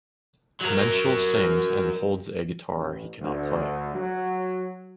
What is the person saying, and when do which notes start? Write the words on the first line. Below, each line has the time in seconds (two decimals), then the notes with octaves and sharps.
Menschell sings and holds a guitar he cannot play.
0.61 F#3 A#4
2.75 A1
3.20 D2
3.94 F#3